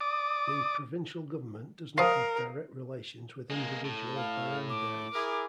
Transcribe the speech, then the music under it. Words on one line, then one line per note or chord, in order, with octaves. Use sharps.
The provincial government does not have direct relations with individual barangays.
D5 D6 D#6
F3 F4 A#4 F5 D#6 C7
G#3 A#3
A2
F5
D6
E4 G#4 A#4